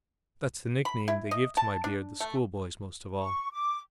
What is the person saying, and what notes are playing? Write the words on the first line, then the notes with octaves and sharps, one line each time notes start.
That's the nickname they give to my beard, the schoolboys most of all.
B5
E4
D#5
A5
D4
A3
C#6
D6